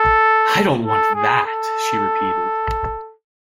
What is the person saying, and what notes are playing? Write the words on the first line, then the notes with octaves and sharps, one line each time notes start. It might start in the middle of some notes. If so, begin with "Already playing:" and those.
"I don't want that," she repeated.
Already playing: A4
A4
G#4
A4